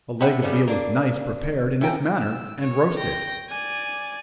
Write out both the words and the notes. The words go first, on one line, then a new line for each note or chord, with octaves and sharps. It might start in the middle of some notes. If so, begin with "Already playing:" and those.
A leg of veal is nice prepared in this manner, and roasted.
C3 E5 F#5 G5 B5
F#2 C#3 G3 B3
A#3 D4
A2 C#4 F4 G5 A#5
E6
C#5
G5 A#6
D5 G#5